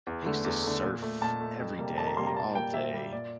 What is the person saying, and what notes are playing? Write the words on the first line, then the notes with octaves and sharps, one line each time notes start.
I used to surf every day, all day,
E2
D3 A3
E2
D3 A3
A#2
A3
A#2 A5
A3
F2
C3 G3 A#3
F2 A5
A#5
C3 G3 A#3 C6
A#5
A#2 A5
G3 A#3 G5
A#2 E5
G3 A#3
A#2 D5